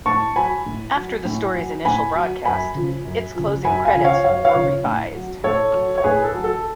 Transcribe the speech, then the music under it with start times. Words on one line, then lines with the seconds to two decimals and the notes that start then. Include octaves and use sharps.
After the story's initial broadcast, its closing credits were revised.
0.06 A2 A5 C#6
0.36 F#3 G#5 B5
0.66 A2
0.96 F#3
1.25 A2
1.55 F#3
1.85 A2 G#5 B5
2.15 F#3
2.45 F#2 G#5 B5
2.75 C#3 F3
3.05 F#2
3.35 C#3 F3
3.64 F#2 G#5 B5
3.85 F5 G#5
3.95 C#3 F3
4.04 C#5 F5
4.24 F#2 C#5 F5
4.45 C#5 F5
4.54 C#3 F3
4.84 A2
5.15 F#3
5.44 A2 A4 C#5
5.74 F#3
5.98 C#5
6.04 A2 G#4 B4
6.24 A4
6.34 F#3
6.44 A4